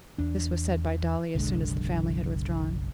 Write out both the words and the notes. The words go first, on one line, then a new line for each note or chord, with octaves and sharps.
This was said by Dolly as soon as the family had withdrawn.
E2 D4
F#1 B1 D3 G#3